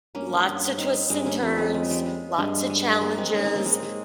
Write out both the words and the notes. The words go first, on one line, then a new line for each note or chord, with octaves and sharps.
Lots of twists and turns, lots of challenges,
G2 A#3 C#4
G#2
G2
C4 D#4
G2 G#3 C4
A#3 C#4
F2 G3
G#3
G#3
G3
G#3
G2 G#3
G#3
A#3
G#3 C4
G#2 A#3 C#4
C4 D#4
A#3 C#4
G#3 C4
G#3